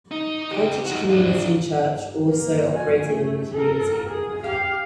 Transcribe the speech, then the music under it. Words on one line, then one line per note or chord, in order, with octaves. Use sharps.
Cottage Community Church also operated in the community.
D#4
C#2 G4
D#4 F#4
D4 F4
A#3
F#4 G#5
A3
A4 A#4
G#4
G4 F5